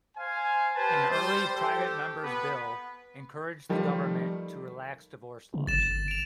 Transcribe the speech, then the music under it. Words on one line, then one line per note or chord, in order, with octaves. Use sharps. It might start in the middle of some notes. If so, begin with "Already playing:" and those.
An early private member's bill encouraged the government to relax divorce laws.
C5 F5 G#5
G4 B4 C5 A5
G3 C5
G4 A4
B3 B4
D#3 F3 G3 A3
C#3
G1 A6 E7
D7 F7